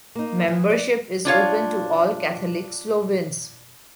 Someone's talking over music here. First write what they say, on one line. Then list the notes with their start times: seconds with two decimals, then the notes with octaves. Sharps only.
Membership is open to all Catholic Slovenes.
0.15 A#3 D#4
0.48 E3
0.70 D5
1.25 D4 F4 C#5 F5